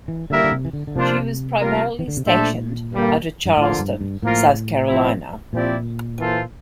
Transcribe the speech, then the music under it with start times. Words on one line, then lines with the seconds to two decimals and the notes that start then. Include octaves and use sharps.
She was primarily stationed out of Charleston, South Carolina.
0.08 E3
0.30 D3 G3 A#3 E4 A#4 E5
0.44 D3
0.52 C3
0.65 E3
0.73 D3
0.87 D3
0.95 C3 F3 A#3 D4 F4 C5
1.61 G3 A#3 F4 A#4
1.99 E3
2.08 D3
2.17 C3
2.26 A#2 A3 D4 A4 C5 E5
2.92 G2 D3 G3 A#3
3.46 G2
3.57 A2 D3 F3 A#3 F4
3.79 G2
4.01 G2
4.22 A2 F3 A#3 F4 A#4
4.88 F3 C4 E4
5.53 A#2 F3 C4 E4 G4 D5
6.19 E3 A#3 F4 A4 C5